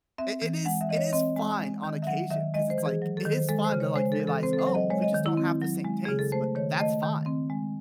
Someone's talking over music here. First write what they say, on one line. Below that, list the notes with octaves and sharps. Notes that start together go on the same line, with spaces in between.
i it is it is fine on occasion 'cause it's, like, it is fun to, like, realize, "Oh, we just don't have the same taste, but that's fine."
C4 E5
E3
G#3 F#5
E5
E3 D#5
C#5
C4 D#5
G#3
G#3
D#3
E5
F#3 F#5
D#3 E5
G#3 D#5
C5
E3
G#4
F#3
A4
D#3
C5
G#3 A4
C5
C#3
C#5
G#3 C5
A4
E3
A4
C4 C5
A4
C5
F#3
D#5
G#3 C#5
D#5
D#3
E4
C4
F#3
G#3
C#3 G#4
A4
A3 C5
D#3 C#5
A3 D#5
D#3
C4
G#3